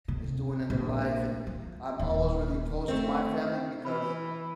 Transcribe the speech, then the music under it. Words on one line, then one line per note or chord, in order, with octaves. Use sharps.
is doing in their life, and I'm always really close to my family, because
C3
A#1
F3
D#1
A3 C4
E3 B5